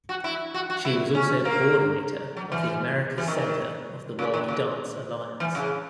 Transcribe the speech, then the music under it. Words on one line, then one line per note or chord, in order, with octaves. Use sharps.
She was also coordinator of the Americas Center of the World Dance Alliance.
F#4
E4
F#4
F#4
E4
C#4
A#3
F#3
E3
E3
D#3
C#3
D#3
C#3
E3
C#3